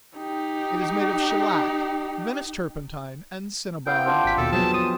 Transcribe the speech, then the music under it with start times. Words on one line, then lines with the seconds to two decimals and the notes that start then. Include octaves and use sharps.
It is made of shellac, Venice turpentine and cinnabar.
0.17 D#4 G4
3.87 B3 E4 F5 G5
4.06 C4 D4 F4
4.25 G#1 B6
4.38 D#2 B2 A4 E5
4.52 F3 F#3 B3 G#4 A5
4.74 D#6